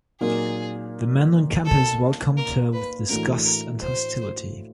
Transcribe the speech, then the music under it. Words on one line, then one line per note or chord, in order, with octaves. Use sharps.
The men on campus welcomed her with disgust and hostility.
A#2 F#3 A#3 D#4 G#4
A4
A#4
B4
A2 E3 A3 D4 F#4 A#4
A#4
C5